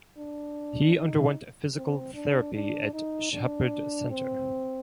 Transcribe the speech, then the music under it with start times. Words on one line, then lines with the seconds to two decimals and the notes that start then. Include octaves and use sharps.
He underwent physical therapy at Shepherd Center.
0.17 D4
0.96 D#4
1.75 C4
2.14 D4
2.54 D4
2.93 D#4
3.33 D4
4.11 C4